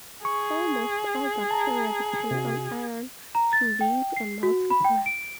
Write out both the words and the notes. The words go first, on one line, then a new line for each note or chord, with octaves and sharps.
Almost all bacteria depend on iron to live and multiply.
G#4 C#6
A5 A#5
C3 F#4
A#5
A6
G5
C7
F#4
B5
G5
D7